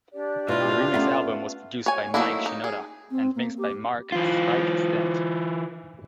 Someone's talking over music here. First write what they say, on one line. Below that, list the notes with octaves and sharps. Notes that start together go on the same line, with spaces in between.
The remix album was produced by Mike Shinoda and mixed by Mark "Spike" Stent.
D4 G4 D5
B2 E4 F4
A3 B3 C#4 F#5
C#5 G#5
F#3 A3 A#3 D#4 E4
D#4
G#4
C4
A#3
G4
E3 F4